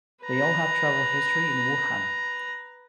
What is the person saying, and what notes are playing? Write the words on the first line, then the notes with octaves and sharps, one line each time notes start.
They all have travel history in Wuhan.
B4 A#5